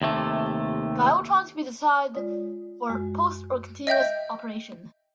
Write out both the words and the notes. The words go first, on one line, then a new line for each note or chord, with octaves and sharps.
Gyrotrons can be designed for pulsed or continuous operation.
D#2 C3 A3
G#3 F4 C#5 D5 D#6
F#2 G#3 F#4
D#5 E5 G5 G6